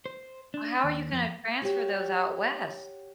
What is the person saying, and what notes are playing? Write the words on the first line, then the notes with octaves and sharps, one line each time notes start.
How are you gonna transfer those out west?
C5
D4
D#2
F2
F#4 G4 C#5